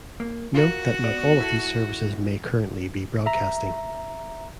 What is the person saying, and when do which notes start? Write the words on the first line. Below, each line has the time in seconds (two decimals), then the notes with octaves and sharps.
Note that not all of these services may currently be broadcasting.
0.20 A#3
0.55 F4 F#4 A#4
1.04 B3 D5
1.40 E4 A4
3.26 E5 A#5